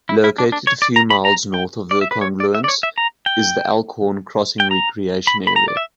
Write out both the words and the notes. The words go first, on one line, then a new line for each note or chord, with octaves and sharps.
Located a few miles north of the confluence is the Elkhorn Crossing Recreation Area.
E4
E4
D4
D4
C#5
D5
A#5
B5
A#5
G5
D5
E5
B4
C#5
D5
E5
D5
C#5
E5
A#5
G5
G5
A#5
B5
B5
A#5
D5
E5